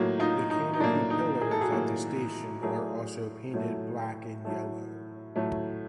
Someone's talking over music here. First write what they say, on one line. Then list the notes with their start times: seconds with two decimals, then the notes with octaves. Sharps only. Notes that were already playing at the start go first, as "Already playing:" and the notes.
The canopy pillars at the station are also painted black and yellow.
Already playing: A2 F#3 A#3
0.20 D#4 F4
0.50 D#4
0.73 D#4
0.80 A2 F#3 A#3 D4
1.10 D#4
1.41 G#4
1.51 A4
1.61 F#4 G#4
1.72 A2 F#3 A#3
2.63 A2 F#3 A3 G#4 A#4
3.54 A2 F#3 A3
4.45 A2 F#3 A3
5.36 A2 F#3 A3